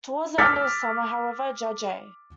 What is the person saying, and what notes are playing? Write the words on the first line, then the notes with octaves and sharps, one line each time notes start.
Toward the end of the summer, however, Judge A.
D6 E6 F6 A6 B6 C#7